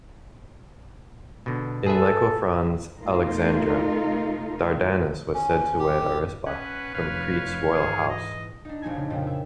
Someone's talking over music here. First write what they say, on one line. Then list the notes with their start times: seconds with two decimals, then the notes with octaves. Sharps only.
In Lycophron's Alexandra, Dardanus was said to wed Arisba from "Crete's royal house".
1.46 B2 D3
1.86 G#4 A4 B4 E5
3.01 C3 A3 D#4 F4 A4 A#4
5.34 C#4
5.79 G4
6.46 C#4 B4 F#5
6.95 F1 C#5 F5
7.71 G#2 E3 G#4
8.09 D#5
8.65 D4 D#4
8.82 F1 A#1 F3 D#4 G#5 G#6
8.95 C#3 A3
9.10 F2 A#2 C#3
9.27 E5